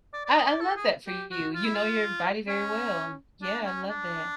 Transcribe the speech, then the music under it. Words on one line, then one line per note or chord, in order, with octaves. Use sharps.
I I love that for you, you know your body very well. Yeah, I love that.
D5
D5
D#5
D5
A4
G#4
G4
F#4
F4
E4
F4
C#4
D4
C#4
D4